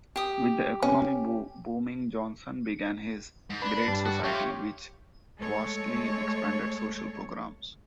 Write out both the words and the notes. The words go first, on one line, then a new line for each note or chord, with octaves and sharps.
With the economy booming Johnson began his "Great Society" which vastly expanded social programs.
G4 D#6
C#4
G#2
D4 B4
G2 A5
F#4
A3 F4 G4 C#5
G#3 A3 A4 C#5